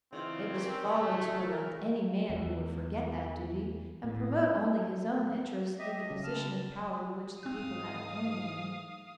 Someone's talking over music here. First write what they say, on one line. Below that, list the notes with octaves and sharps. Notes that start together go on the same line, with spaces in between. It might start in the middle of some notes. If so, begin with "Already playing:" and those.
It was folly to elect any man who would forget that duty and promote only his own interests through the position of power to which the people had appointed him.
C#3 E3 C4 D#4 F4
C#4 G4 A#4
A1 C#3 G#3 A3 C#4 E5
A#4
E2
A2
G4 D#5 E5
G2 D#5
C#3
D2 A5 F6
G#2 C4 F5 D#6 F#6